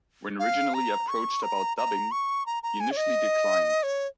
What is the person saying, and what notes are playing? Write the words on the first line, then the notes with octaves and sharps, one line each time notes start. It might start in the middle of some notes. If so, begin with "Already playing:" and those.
When originally approached about dubbing, he initially declined.
F5
A#5
C#6
A#5
A#5
C#6
A#5
A#5
G#5
C#5
D#5
C#5